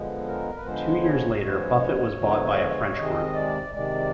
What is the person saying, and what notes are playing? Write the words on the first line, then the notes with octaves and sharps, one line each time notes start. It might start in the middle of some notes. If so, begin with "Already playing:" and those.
Two years later Buffet was bought by a French group.
Already playing: D3 F3 G#3 B3
A#4
B4
D3 F3 G#3 B3 C5
C#5
D3 F3 G#3 B3 C#5
D3 F3 G#3 B3
C3 D#3 G#3 D#5
D5
C3 D#3 G#3 D5